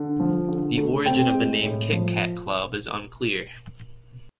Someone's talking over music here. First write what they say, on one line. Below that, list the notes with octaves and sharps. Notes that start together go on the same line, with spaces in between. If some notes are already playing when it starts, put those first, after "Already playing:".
The origin of the name "Kit-Cat Club" is unclear.
Already playing: D3
F3
D3
A3
C4 G5
G#3
A2
F3